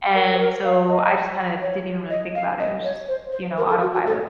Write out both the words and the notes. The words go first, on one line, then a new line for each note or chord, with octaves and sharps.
And so I just kinda didn't even really think about it. I was just, you know, autopilot.
A#4
C5
A#4
F5
D#5
C#5
D#5
F5
D#5
C#5
C5
C5
A#4
A4
F#4
F#4
A4